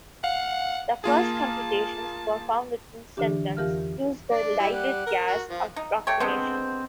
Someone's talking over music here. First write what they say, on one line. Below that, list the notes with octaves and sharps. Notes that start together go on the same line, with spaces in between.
The first computations performed with instantons used the dilute gas approximation.
F5 F#5
A#3 F4 G#4 A5
D3 E3 D4 G4
F2 E3 G4 A#4 F5 F6
D4 D5
G3 E4
F#5
A#4
F#4
F3 F4
D#4
A3 G4 C#5
D3 G#3 B3 C4 C5